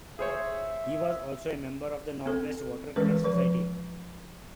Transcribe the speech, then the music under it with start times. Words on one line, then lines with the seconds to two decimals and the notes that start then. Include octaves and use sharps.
He was also a member of the Northwest Watercolour Society.
0.19 G#4 C5 C#5 E5
2.26 C4 A4
2.96 E3 G#3 C#4 A#4 B4
3.24 F3 B4